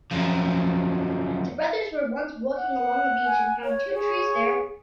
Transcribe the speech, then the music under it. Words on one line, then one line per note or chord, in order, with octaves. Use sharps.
The brothers were once walking along a beach and found two trees there.
F#2 F3
F#5
G#5
C#5
G#4 C#5